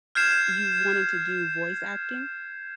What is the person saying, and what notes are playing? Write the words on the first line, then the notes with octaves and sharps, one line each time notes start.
you wanted to do voice acting?
F6 G6 G#6 C7 E7